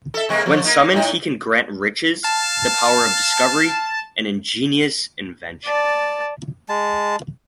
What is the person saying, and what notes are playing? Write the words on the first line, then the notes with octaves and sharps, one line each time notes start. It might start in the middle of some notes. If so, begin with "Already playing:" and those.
When summoned, he can grant riches, the power of discovery and ingenious invention.
A4 E5
C3 G#3 A#3
F3
A#3 D#4
A2 D#4
F5 A5
D5 A5
G#3 A5